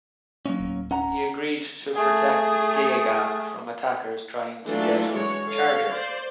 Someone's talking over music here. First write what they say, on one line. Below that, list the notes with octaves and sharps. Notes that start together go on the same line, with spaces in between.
He agreed to protect Dega from attackers trying to get his charger.
F#3 A#3 C#4
D1
C#4 F#5 A#5
A3 G#4
E3 F#3 A3 D4 F4 A4
G#3 F#4 C#5
A4 C#5 F5
C5 D5